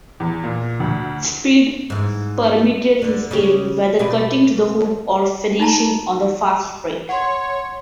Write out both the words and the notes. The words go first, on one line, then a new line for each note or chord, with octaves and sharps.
Speed permeated his game, whether cutting to the hoop or finishing on the fast-break.
E2
A#2
D2
G#2 E3
D2 D3
C#3 C#4 G4
B2 B4 D5
D#4 F4 A5 A#5
C#5 F#5 C6